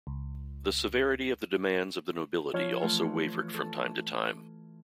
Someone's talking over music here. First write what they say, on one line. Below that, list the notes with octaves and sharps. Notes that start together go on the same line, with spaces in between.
The severity of the demands of the nobility also wavered from time to time.
C#2
F3 C#5 F6
E3 A3 F4
A4